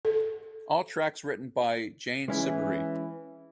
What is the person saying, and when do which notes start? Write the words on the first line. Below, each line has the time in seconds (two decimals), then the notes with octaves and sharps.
All tracks written by Jane Siberry.
0.05 A4
2.28 E3 G#3 C#4 E4